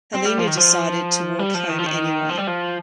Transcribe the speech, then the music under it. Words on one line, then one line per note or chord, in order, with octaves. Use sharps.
Helena decided to walk home anyway.
C4
G3
F3
D#3
F3
G3
F3
D#3
F3
D#3
F3
G3
F3